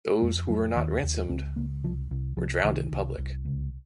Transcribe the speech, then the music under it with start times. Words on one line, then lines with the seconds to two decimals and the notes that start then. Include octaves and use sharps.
Those who were not ransomed were drowned in public.
0.22 F2 G#3
0.49 F2 F#3
0.76 D#2 D#3
1.03 D#2
1.29 C#2 C4
1.56 C#2 A#3
1.84 C2 F3
2.11 C2
2.37 C2 F3
2.64 C2 D#3
2.91 C2
3.18 C2
3.45 C#2